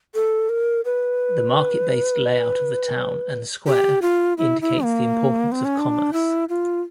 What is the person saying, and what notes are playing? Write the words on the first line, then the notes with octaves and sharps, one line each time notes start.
The market based layout of the town and square indicates the importance of commerce.
A4
A#4
B4
G4
F4
E4
E4
A#3
C4
C#4
D4
E4
F4